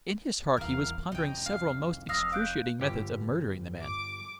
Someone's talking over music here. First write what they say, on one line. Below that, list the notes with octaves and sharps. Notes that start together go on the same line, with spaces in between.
In his heart he was pondering several most excruciating methods of murdering the man.
D#1 E2 A#4 F5
C2 F2 D#4 G5
F5
F1 F2 F5 D#6 E6 A#6
F5 D6 F#6 G6
G1 G4
D6